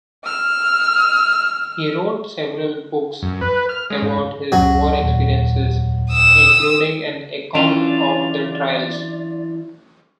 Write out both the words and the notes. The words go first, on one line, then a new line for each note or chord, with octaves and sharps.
He wrote several books about his war experiences including an account of the Trials.
E6 F6
F#2
B4
F6
G#3
G#2
C#2 F#2 F#3 C#4
D#2 A#2
D#6 E6
E3 F#3 C#4 D4 E4 F4 D5